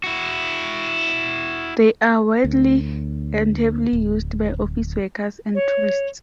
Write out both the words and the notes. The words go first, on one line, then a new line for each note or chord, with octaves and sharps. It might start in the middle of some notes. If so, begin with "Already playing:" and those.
They are widely and heavily used by office workers and tourists.
E4 F#4
D2
D1
C#5